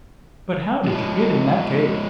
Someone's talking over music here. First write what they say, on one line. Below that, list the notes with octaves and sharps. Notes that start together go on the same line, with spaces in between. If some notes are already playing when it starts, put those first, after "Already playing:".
"But how did you get in that cave?"
F3 G#3